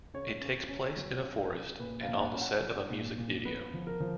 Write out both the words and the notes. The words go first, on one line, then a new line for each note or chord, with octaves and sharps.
It takes place in a forest and on the set of a music video.
C#3 C#5
C#3
C#4
F#3
C#3
C#3
A#2 B4
F5
A#2
F#5
C#4
F#5
F#3
A#2
A#2
B3 B4
F3
A#4
F3